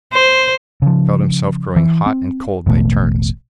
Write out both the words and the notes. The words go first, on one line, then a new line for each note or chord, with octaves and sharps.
He felt himself growing hot and cold by turns.
C5
C#3 F3
E3
C4
E1 A1 B2 A3